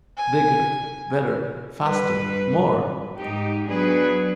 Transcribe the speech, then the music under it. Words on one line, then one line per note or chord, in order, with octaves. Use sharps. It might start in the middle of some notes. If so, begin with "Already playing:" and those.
Bigger, Better, Faster, More!
G#5
G2 G3 B4
G#2 D#4 G4
F#3 B3 D4 G#4 B4